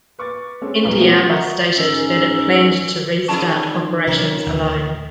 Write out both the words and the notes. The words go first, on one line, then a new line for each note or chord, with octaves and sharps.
Endiama stated that it planned to restart operations alone.
B4 C#6 D6 A6
G#3 C4 C#4 A4
B1 F2 B2 A#3 F4 B4
F3 A3 B3 C#4
D#5 E5 F#5 A#5 C#6
G#2 C#4 E6
C3 D#3 E4 G#4 A5 C#6
A2 C3 F#3 C#4
D2 A#2